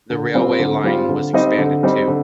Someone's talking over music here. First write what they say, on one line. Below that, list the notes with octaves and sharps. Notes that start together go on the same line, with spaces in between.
The railway line was expanded, too.
D3
G3 C4 F4
D3
G3 C4 F4
D3
G3 C4 D#4
D3
G3 C4 D#4
D3